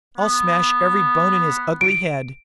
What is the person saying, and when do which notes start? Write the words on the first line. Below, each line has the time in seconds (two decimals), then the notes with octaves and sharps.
"I'll smash every bone in his ugly head."
0.18 B3
1.81 D7